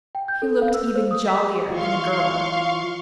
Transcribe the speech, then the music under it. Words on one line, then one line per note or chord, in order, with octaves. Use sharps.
He looked even jollier than the girl.
G5
G6
A4
F5
E6
C5
D#6
B6
E3 F3 F4 F5 C6 C#6